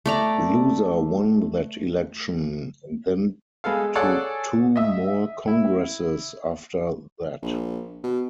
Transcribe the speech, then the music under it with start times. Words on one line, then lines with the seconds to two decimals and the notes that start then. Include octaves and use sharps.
Loser won that election, and then to two more Congresses after that.
0.06 A3 D5 A#5
3.64 G#3 B3 A4 F5
3.95 G#4 A4 C#5 D5 F#5
4.76 D#5 E5
5.47 E4
7.42 A#1
8.03 B2